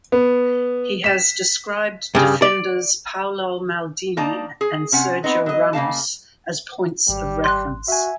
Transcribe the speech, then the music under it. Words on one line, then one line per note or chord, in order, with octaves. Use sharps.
He has described defenders Paolo Maldini and Sergio Ramos as points of reference.
B3
B6 E7
G2 C#3
D5
A#3 D4 D#4 A5 A#5
G#4
C3 C#4 F#5
B3 C4 D#4 B4
F#3 D#5
C#3 A#3 F5 A5
G#1 G3
C6 F#6
F#4 E5 G#5